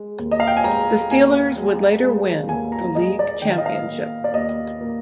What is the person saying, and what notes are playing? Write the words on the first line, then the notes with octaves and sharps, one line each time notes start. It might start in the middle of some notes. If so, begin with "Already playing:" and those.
The Steelers would later win the league championship.
Already playing: G#3
D#2
D#5
F5
G5
G#5
G#3 A#5
D#2 G#5
G#3
G#3
D#2 G#5
A#5
G#3 D#5
D5
D#3 G5
F5
D#5
F5
A#3
D5
D#2 D#5
A#3